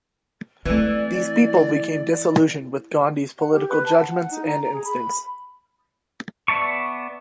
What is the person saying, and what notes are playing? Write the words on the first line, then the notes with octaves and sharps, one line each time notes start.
These people became disillusioned with Gandhi's political judgments and instincts.
E3 A3 C4 D5
F#5
G4
B4
A5
F#5
F#5
D#4
A#5
A#5
G#4
B5
B3 D5 E5 A5 C#6